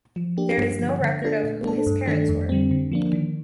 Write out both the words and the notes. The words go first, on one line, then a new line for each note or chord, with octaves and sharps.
There is no record of who his parents were.
F3
A#3 D4 G4
G2
D3 F3
D3
A3 D4 F4 A4
A#2
A3 D4 A4
G2
D#3 A3 D4 A4
F2
D3 G3 C4
D3
F3 A#3 D4
D#3